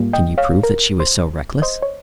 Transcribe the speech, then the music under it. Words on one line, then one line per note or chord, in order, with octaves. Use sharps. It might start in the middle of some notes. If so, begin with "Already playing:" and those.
"Can you prove that she was so reckless?"
Already playing: G#2 G3 A#3 F4
D#5 G5
C#5 F5
A#4
C5
C5 D#5
C#5